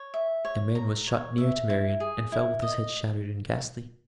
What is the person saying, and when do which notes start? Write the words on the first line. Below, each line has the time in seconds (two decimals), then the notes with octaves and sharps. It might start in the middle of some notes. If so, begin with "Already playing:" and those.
A man was shot near to Marian, and fell with his head shattered and ghastly.
Already playing: C#5
0.14 E5
0.45 C#5
0.75 A#5
1.07 C#5
1.38 E5
1.70 E4
2.00 G#4
2.32 E4
2.62 D#5